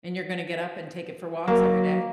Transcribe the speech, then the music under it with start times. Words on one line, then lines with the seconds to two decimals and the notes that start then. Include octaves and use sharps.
And you're gonna get up and take it for walks every day?
1.48 F#3 A#3